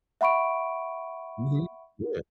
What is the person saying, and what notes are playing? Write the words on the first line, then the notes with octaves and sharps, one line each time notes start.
Mhm. Yeah.
E5 F#5 B5 C#6 D7